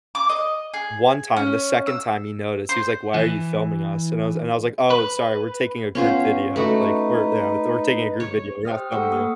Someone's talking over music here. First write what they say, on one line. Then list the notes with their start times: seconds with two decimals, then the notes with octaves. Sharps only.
One time, the second time he noticed, he was like, "Why are you filming us?" and I was and I was like, "Oh, sorry, we're taking a group video," like, "We're" yeah, "We're taking a group video. We're not filming you."
0.15 D6
0.29 D#5
0.74 G#4
1.36 C#4
1.87 E6
2.69 C5
3.14 E3
4.90 B4
5.95 B3 C#4 F4 C5
6.56 A3 D#4 F#4 B4
8.20 C#5
8.65 G4 C5 G5 D#6 F6
8.92 A3 A4 F#5 C#6 E6 C#7
9.11 A#3 D#6 F6